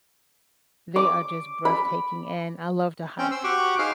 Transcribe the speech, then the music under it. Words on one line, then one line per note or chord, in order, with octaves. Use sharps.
they are just breathtaking, and I love to hike
D6
B5
C4 C#4 G5
C5 E6
F#4 G4 F#5 C#6 D6
D#4 G#4 C5 F5 D6 F6